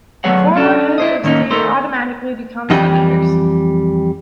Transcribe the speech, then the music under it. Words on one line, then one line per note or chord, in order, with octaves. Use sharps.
Former heads of state automatically become Senators.
F#3 A3 B3 G#4 C#5 F#5
C#4 D4 A4
E4 C5 D#5
A2 D#3 A#3 C#4 D#4
A3 D#4 A#4 C5
F2 E3 G3 D#5 G5